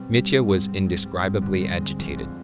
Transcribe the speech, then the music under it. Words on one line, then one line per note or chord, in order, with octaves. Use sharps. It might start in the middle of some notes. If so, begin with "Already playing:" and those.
Mitya was indescribably agitated.
Already playing: B2 G3 C4
G4
G3
G#2
C4
G#2
G3
G#2
D3
C4
G#3
F2
D3